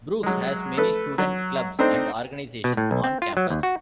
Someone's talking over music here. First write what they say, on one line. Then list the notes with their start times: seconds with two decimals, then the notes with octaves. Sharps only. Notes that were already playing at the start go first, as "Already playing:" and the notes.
Brooks has many student clubs and organizations on campus.
0.23 F#3 G#3
0.78 A3 A4 B4
1.18 F#3
1.79 A3 C4 D4 D#4 C5
2.64 B2
2.77 A2
2.91 B1
3.04 C4
3.22 F4
3.37 F#3
3.50 D#2
3.63 F#4